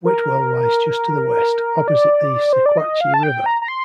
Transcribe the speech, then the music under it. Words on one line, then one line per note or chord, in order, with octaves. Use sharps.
Whitwell lies just to the west, opposite the Sequatchie River.
A#4
D5
C5
D5
D#5
F5
A5
G5
A#5
A#5
C6